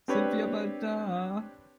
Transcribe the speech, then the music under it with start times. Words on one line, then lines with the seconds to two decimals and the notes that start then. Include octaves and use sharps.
Sind wir bald da?
0.08 C4 D4 G4 B4 C#5